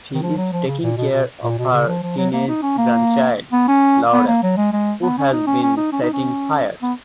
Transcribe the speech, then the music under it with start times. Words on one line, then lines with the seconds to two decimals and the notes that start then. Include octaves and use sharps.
She is taking care of her teenage grandchild, Laurel, who has been setting fires.
0.14 D#3
0.23 F3
0.37 F#3
0.52 F3
0.67 C#3
0.83 A#2
0.97 B2
1.13 B2
1.43 A#2
1.58 B2
1.73 C#3
1.87 F3
2.03 F3
2.17 F#3
2.33 A#3
2.48 D#4
2.62 C#4
2.78 A#3
3.52 B3
3.68 C#4
4.13 B3
4.28 A#3
4.43 F#3
4.57 G#3
4.73 G#3
5.02 B3
5.18 C#4
5.32 D#4
5.47 C#4
5.63 C#4
5.77 D#4
5.92 C#4
6.02 D#4
6.13 C#4
6.83 B3